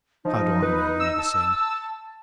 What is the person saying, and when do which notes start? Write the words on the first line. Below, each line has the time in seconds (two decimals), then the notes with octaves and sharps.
How do I know you never sing?
0.25 F3 D#4
0.62 B4
1.00 E6
1.18 A5